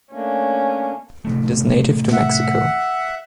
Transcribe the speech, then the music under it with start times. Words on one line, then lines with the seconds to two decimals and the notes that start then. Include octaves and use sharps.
It is native to Mexico.
0.13 A3 A#3 C#4 D4
1.25 A1 C3 A3
2.12 E5 F#5